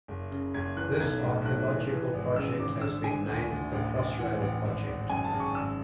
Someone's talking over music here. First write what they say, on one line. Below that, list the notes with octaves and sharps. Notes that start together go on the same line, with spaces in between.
This archaeological project has been named the Crossrail Project.
F#1
C#3
F#1 G#6
E3 F#6
B1 G#6
A2
B1 F#6
E3
E3
G#1
C#3 E6
G#1 D6
D3 E6
D3 G#5
D2
D2
A1
A1
E3 F#5
A1
G#1
G#1
F#2 G#5
A5
C#3
C#6
G#1 E6